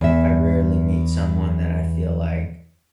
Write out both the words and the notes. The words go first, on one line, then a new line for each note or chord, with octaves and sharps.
I rarely meet someone that I feel like,
E2 E5